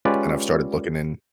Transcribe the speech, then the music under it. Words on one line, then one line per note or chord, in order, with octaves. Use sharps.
and I've started looking in
G#3 C#4 F4 G4 B4 D5